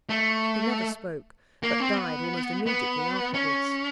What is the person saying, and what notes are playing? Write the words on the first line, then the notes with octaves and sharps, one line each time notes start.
He never spoke, but died almost immediately afterwards.
A3
A#3
C4
B3
B3
C#4